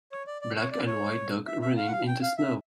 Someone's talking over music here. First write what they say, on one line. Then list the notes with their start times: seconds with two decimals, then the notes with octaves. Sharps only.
Black and white dog running in the snow.
0.12 C#5
0.27 D5
0.42 D5
0.57 C#5
0.72 D5
0.87 C#5
1.47 E5
1.62 E5
1.77 F5
1.87 F#5
1.92 F5
2.07 G5
2.22 F5
2.37 E5